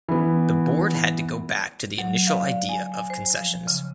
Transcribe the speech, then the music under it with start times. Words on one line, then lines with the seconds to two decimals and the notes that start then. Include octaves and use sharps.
The board had to go back to the initial idea of concessions.
0.08 E3 B3
1.98 F#3
2.27 F5
2.41 D3
2.69 G#5
2.92 G#5
3.10 C5
3.37 F3
3.67 C#3